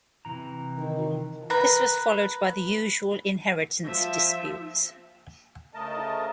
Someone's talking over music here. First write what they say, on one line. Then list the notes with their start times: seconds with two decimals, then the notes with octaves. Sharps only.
This was followed by the usual inheritance disputes.
0.25 C3 E3 A#5
0.77 D#3
1.50 A#4 B4 A#5 B5
3.83 F3 E5
5.74 D2 C#3 A3 A#4 D#5 A5